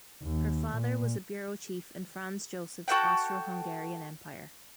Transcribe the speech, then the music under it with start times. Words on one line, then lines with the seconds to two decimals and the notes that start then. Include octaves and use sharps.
Her father was a bureau chief in Franz Joseph's Austro-Hungarian Empire.
0.23 D#2
0.74 A#2
2.88 F#4 A4 F#5 G5